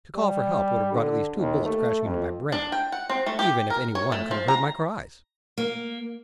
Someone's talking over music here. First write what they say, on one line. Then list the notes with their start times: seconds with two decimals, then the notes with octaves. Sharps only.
To call for help would have brought at least two bullets crashing into my brain, even if any one could have heard my cries.
0.15 G3
0.92 D3
1.37 D#2
1.65 A3
2.03 F2
2.52 D4
2.72 G5
2.92 F#5
3.10 C4
3.26 A3
3.39 G4
3.70 A#4
3.95 C#5
4.12 A3
4.31 F3
4.48 A#5
5.57 A#3